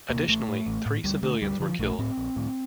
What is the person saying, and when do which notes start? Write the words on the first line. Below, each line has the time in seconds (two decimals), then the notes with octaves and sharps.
Additionally, three civilians were killed.
0.10 D2 C3 A#3
0.28 A1 A3
0.48 A2
0.66 A1
0.86 A2
1.04 D2 G3
1.23 D3 A3
1.42 D2 G3
1.60 D3 F3
1.79 A#1 A3
1.99 A2 C4
2.17 A#1
2.36 A2